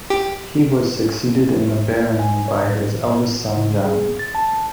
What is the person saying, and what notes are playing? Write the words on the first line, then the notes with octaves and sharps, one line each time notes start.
He was succeeded in the barony by his eldest son Johnny.
G4
D#2
G#5
C#5
A2
C#3
G#4
A6
A5